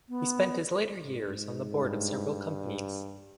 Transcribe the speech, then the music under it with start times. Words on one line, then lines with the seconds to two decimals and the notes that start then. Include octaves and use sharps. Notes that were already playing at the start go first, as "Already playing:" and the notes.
He spent his later years on the board of several companies.
0.09 B3
1.06 G#2
1.73 G2